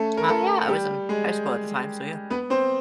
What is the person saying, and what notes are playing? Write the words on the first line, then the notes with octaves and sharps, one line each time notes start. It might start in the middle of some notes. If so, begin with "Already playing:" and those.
Oh yeah, I was in high school at the time so, yeah.
Already playing: A3 C#4 A4
A#4
A3 A4
G3 G4
G#3 G#4
B3 B4
C4 C5